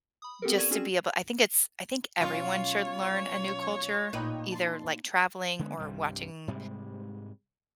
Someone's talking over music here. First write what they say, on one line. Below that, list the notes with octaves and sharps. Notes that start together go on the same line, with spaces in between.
just to be able I think it's I think everyone should learn a new culture, either, like, traveling or watching
B5 D#6
B3 C4 G4 A4 A#4
D5 C#6 G#6 D#7 E7
C4 C#4 F#4 G#4
B2 F#3 C#4 F4 C#5
A1 A#2 D#4 B4 G5 D#6
A5 C6
D3 G#3 B3
C2 G2 C3 G3
G#2 C3 G3 G#3